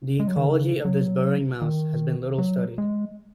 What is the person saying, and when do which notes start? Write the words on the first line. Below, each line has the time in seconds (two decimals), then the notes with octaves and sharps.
The ecology of this burrowing mouse has been little studied.
0.20 G#3
0.28 F#3
0.37 D#3
0.47 C#3
0.85 F#3
1.62 D#3
2.38 F#3
2.78 G#3